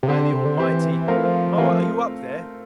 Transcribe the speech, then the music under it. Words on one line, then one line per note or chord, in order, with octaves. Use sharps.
By the Almighty, Moa, are you up there?
C3
D3 C4 G4 C5
C3
D3
E3 C4 G4 C5
F3 A3 C4 F4 A#4 F5
E3
F3
E3 A3 C4 F4 A#4 F5
F3